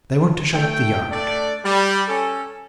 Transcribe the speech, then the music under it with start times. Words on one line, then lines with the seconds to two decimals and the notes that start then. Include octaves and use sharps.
'They want to shut up the yard.'
0.53 A3 G5
1.11 A3 D4 D5
1.64 G3
2.07 C#4 A4